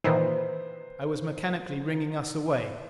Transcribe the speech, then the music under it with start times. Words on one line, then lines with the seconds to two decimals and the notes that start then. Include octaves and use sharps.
I was mechanically ringing us away.
0.04 A#2 D#3 E3 B4 C5